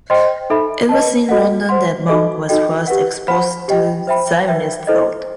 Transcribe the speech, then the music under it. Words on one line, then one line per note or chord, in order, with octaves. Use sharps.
It was in London that Monk was first exposed to Zionist thought.
C5 D#5 G5 C6
D#4 A4 E5 B5
B4 D#5 A5
F#4 A4 D#5 F#5
C5 F#5 C6
D#4 F#4 A4 D#5
D#4 F#4 A4 D#5 G5
G4 B4 F#5
C5 F#5 B5
G4 D#5 G5
C5 E5 G5 B5
B4 E5 G5
E4 A4 C5 D#5